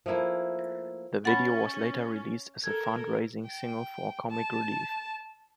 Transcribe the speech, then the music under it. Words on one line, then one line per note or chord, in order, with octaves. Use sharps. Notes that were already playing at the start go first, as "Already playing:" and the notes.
The video was later released as a fund raising single for Comic Relief.
F3 A3 A#3 E4
C#4 F#5 B5 A6
A4 A#4 G#6
G5
A5